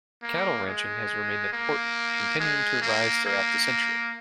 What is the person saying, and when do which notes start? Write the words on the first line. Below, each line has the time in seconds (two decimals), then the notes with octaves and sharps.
Cattle ranching has remained important, continuing to rise throughout the century.
0.23 A#3
0.66 G#3
1.53 A#3
2.40 G#3
2.82 A#3
3.25 A#3